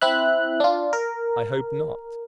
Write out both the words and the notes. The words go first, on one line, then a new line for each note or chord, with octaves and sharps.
"I hope not."
C4 E4 E5 F#6
D4 F4
A#4